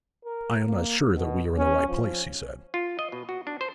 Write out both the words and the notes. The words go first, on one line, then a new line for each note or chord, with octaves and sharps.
'I am not sure that we are in the right place,' he said.
A#4
A#3
B2
C#4
F3
F4
D#5
B2
F#4
D4
C5